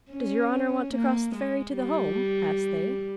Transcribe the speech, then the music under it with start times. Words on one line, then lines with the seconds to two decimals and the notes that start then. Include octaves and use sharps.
"Does your honor want to cross the ferry to the Holme?" asked they.
0.12 C#4
0.94 A#3
1.35 G#3
1.76 G3